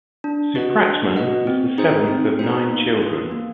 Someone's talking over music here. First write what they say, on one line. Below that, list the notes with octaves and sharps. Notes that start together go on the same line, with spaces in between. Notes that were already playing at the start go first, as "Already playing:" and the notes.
Supratman was the seventh of nine children.
D4
F#4 B4 D#5 F#5
D4
F#4 B4 D#5 F#5
C4
D#4 G#4 C5
C4
D#4 G#4 C5
A#3
C#4 F4 G#4 B4
A#3